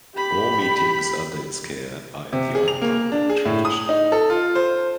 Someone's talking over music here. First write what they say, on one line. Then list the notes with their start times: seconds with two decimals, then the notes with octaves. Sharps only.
All meetings under its care are in the unprogrammed tradition.
0.15 G4 B5
2.33 C3
2.55 G#4
2.68 F7
2.82 A#3
3.12 D4
3.30 G#4
3.45 A2
3.65 D#6
3.89 D#4
4.12 A4
4.30 F4
4.55 C5